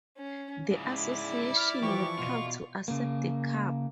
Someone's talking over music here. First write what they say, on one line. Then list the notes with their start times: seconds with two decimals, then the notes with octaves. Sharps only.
The Association were proud to accept the Cup.
0.18 C#4
0.71 G#2 C#3 E4 D5
1.54 B5 F6
1.83 E3 F3 G4 C#6
2.18 B2 F4
2.88 C#3 A#3